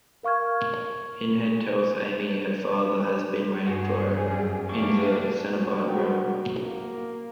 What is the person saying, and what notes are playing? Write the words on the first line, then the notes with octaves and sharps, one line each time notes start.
Pinhead tells Amy her father has been waiting for her in the Cenobite realm.
A#4 F5 C#6 F6 G#6
G2 F#4 G#4
F#2 G3
E3 A#3 D4 G4 C#6
F#4
F#3 A#4 G5
A#3